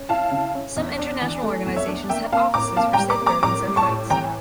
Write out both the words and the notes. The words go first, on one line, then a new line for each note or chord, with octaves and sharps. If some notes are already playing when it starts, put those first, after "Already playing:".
Some international organizations have offices for safeguarding such rights.
Already playing: C#4
E4 F5 A5
C#3
C#4
E2
D4
E3
A3
E2
C#5 E5
D4
A#3 E5 G5
A#3 F5 A5
A2 A#5 D6
A#3 F5 A5
G5 A#5
G3
A#5 D6
A#3
A#5 D6
A2 A#5 D6
G3
A5 C#6
A2
E3 G5 A#5